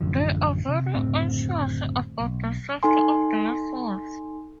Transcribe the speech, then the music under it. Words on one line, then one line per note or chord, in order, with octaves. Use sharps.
They are very anxious about the safety of their souls.
A1 F#2 D3 F3
C3
F#1 D2 A2 C4
B1
D#4 A4 G#5 C6